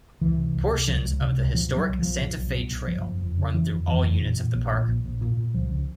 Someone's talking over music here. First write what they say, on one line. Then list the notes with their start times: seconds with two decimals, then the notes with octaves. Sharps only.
Portions of the historic Santa Fe Trail run through all units of the park.
0.21 C#2 E3
0.38 C3
0.54 C#2
0.71 C3
0.87 C#2 F3
1.05 C#2
1.21 C3
1.38 C#2
1.54 B2 F3
1.71 B2
1.77 F#3
1.88 B1
1.99 B1 F3
2.21 B2
2.38 B1
2.54 B2
2.71 B1
2.87 F#1 F3
3.05 F#1
3.22 F2
3.38 C#3
3.54 F#1 E3
3.71 F2
3.88 F2 E3
4.04 F#1
4.21 A#2
4.38 A#2
4.55 A#1
4.71 A#2
4.88 A#1
5.04 A#1
5.21 A#2
5.37 A#2
5.54 C#2 F3
5.71 C#2